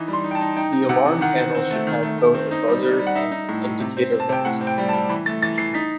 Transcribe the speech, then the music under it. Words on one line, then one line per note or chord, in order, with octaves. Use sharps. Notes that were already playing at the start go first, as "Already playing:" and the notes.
The alarm panel should have both a buzzer and an indicator light.
Already playing: E3 D#4
G3
C6
D#4
G5
A5
D#4
D#4 G5
D#4
C3 F#5
E3
D#3 F#5
C4
C4
A3
D#3
A3
A3
C4
D#4
G3
G3
G3
F#5
D#4 E5
D#4
A2
A2
C3
C4
C4
A5
C3 G5
A2 F#5
C4
G5
G3
A5
G3
E3 B5
A3 A6
E3 A6
E3 C7
D#4 B6